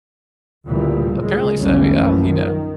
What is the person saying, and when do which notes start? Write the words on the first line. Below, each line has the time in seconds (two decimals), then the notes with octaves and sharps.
Apparently so, yeah, you know,
0.65 D2 A#2 C#3 E3 G3
1.21 A#2 C#3 G#3
1.57 B1 E2 D3 G3 A3 C#4
1.97 A#1 F#2 E3 F3
2.26 D#3